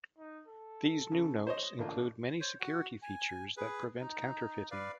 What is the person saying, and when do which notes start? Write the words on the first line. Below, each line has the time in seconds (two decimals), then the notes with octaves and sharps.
These new notes include many security features that prevent counterfeiting.
0.18 D#4
0.47 A4
1.12 C#3
1.47 C5 C#5 D#5
1.79 A1 A#3 D4 F4
2.40 C5 C#5
2.60 F#4 F#5
3.02 G#5
3.57 G#4 B4
4.01 D#4
4.71 B4 D5 F5